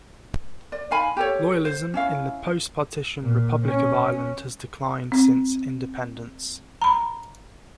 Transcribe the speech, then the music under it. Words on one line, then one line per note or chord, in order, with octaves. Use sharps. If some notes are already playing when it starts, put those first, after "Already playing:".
Loyalism in the post-partition Republic of Ireland has declined since independence.
D5
D#4 F5 G#5 B5
G4 A4 C#5
C5
C#4 E4 F5
A#2
C#4
C4
A#5 B5